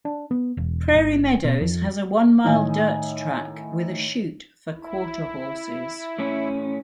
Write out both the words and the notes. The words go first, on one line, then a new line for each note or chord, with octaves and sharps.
Prairie Meadows has a one-mile dirt track with a chute for quarter horses.
D4
B3
E1
G1
B2
F2
A2 D#3 D#5 G#5
E4
A2 C#4